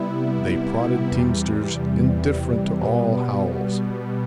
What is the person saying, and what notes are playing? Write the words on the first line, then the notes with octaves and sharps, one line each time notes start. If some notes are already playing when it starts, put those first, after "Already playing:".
They prodded teamsters indifferent to all howls.
Already playing: C3 G3 B3 E4
E2 C3 E3 G3
B2 G3 B3